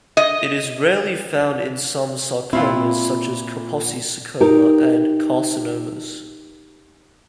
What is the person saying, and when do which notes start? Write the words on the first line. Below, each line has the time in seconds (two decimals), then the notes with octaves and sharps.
It is rarely found in some sarcomas, such as Kaposi's sarcoma, and carcinomas.
0.17 D#5
2.53 A#2 C4 E4 F4 F5
4.41 D#4 G4 A#4